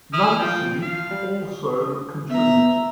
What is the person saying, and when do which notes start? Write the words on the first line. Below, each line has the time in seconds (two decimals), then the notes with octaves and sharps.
Nancy also contributed.
0.13 E4 D#6 F6
0.39 F3 F4 G5
0.82 F5
1.11 G3
2.30 B3 E5 A#5